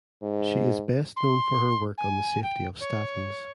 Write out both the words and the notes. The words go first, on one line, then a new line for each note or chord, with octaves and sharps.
She is best known for her work on the safety of statins.
G#2
C6
G#5
G5
C#5